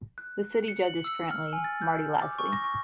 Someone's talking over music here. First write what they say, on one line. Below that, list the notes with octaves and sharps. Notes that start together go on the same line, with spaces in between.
The city judge is currently Marty Lasley.
F#6
C#7
F#7
E6
F6
G#5
A6
G6
D6
C#6
A#6
C#6